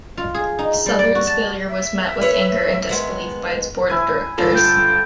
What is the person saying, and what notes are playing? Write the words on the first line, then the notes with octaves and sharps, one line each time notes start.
Southern's failure was met with anger and disbelief by its board of directors.
F4
G#4
D#4
G3
D5
F#4
A5
E5
B4 C#5
D#3 G#3 B3
E4 G#5
G1 F4 A4
G5